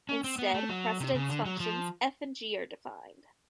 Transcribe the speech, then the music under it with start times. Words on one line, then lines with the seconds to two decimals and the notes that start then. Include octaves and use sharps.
Instead, precedence functions f and g are defined.
0.09 C#4
0.24 C4
0.38 B3
0.54 A3
0.69 F#3
1.00 C3
1.15 C#3
1.29 D3
1.45 F#3
1.60 F3